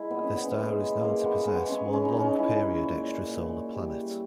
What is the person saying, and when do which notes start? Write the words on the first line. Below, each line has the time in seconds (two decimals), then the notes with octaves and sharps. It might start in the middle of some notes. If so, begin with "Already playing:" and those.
The star is known to possess one long-period extrasolar planet.
Already playing: G#3 E4
0.10 A#2 B3
0.24 C#4
0.36 B3
0.56 G#3
1.01 G#3 A#3
1.24 B3
1.46 G#3 B3
1.69 C#4
1.92 G#3 C#4
2.05 D#4
2.17 C#4
2.38 G#3 E4
2.83 A#2
3.28 A#2
3.74 G3